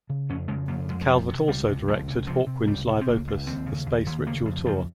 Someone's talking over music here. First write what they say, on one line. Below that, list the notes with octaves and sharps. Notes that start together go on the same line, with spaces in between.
Calvert also directed Hawkwind's live opus, the Space Ritual Tour.
C#3
F2 C#4
C#3 G#3
F2 A#3
F2 G#3
G#3
C3 G3
C3
C#2 G3
C3
C#2 F3
C3
C3 F3
C3
C#2 G3
C3
C4
C#2 A#3
C#2
D#2 C4
C#3
D#2
D#2
C#3 A#3
F2
C#3 F3